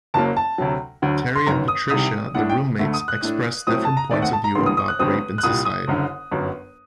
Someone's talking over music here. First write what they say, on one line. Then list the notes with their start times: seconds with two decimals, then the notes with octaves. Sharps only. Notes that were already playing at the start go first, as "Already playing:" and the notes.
Terry and Patricia, the roommates, express different points of view about rape in society.
0.14 F#1 F#2 F#3 A#3 A5
0.37 A5
0.58 D2 C3 F#3
1.02 D2 D3 F#3
1.36 C6
1.46 G1 F#2 D#3 A#5
1.68 D#6
1.90 C2 C3 D#3 G3 D#6
2.35 A2 A3 D4 F#5
2.50 G5
2.79 D2 D3 A3
2.94 D#6
3.08 F#6
3.22 A2 A3 D4
3.67 A2 F#3 A3 C4 D#6
3.85 A5
3.97 A#5
4.11 D#2 D#3 A3 C4 D5
4.22 F#5
4.33 A5
4.44 A#5
4.55 A1 G2 D3 G3 A#3 C6
4.66 D#6
4.77 D#6
4.88 F#6
4.99 G1 G2 F#3 C4 D#6
5.38 F#6
5.43 C2 A#2 G3 D#6
5.65 D#6
5.87 F#1 F#2 D3
6.31 G1 F#2 F#3